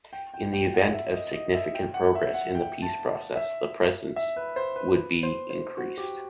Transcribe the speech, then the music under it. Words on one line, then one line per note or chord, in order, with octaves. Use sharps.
In the event of significant progress in the peace process, the presence would be increased.
G5
G5
G5
F#5
E5
D#5
D#5
E5
G5
F#5
E5
F#5
G5
A5
E5
E5
B4
C5
B4
B4
C5
C5
F#4
G4